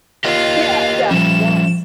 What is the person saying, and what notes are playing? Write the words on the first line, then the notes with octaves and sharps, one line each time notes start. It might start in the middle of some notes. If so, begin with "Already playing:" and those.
Yeah, yeah, yes.
F4 G4 A#4 D#5 F5
F3 G3 C#4 E7